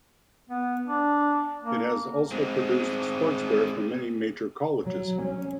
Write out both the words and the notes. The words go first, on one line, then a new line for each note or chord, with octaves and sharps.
It has also produced sportswear for many major colleges.
B3
D4
A#3
G#3 C4
F#3
C#4